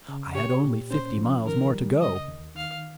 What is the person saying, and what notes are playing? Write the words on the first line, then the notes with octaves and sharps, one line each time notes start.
I had only fifty miles more to go.
C#3
G4 C#5
A#2
C#4 C5
F3
D#3 A#4
G3
C#3 D#5
D#2
D#3 F5